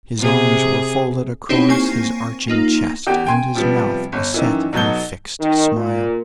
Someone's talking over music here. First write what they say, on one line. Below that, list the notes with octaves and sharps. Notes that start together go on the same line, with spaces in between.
His arms were folded across his arching chest, and his mouth was set in a fixed smile.
C3 G#4
C4 D#4 E4 G4 C#5
A#3 C4 G#5 C#6 A#6 C7
A#3 D#4 F4
E2 G4 G5
G5 G#5 C6 G#6
C3 F3 G3 B3
G1
F#2 D#3 E3
B2 F#3 D#4 A4 G6 G7
D#3
A#2